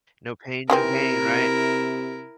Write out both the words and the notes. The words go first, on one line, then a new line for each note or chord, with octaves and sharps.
No pain, no gain, right?
C3 D#3 E3 C4 E4 A#4